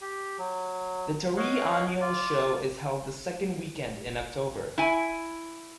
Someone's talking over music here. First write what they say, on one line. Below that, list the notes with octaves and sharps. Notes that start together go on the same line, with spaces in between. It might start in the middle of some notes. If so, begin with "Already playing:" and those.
The Taree Annual Show is held the second weekend in October.
G4
F#3
C#5 D#5 F5 F#5
F4 D5
E4 G#5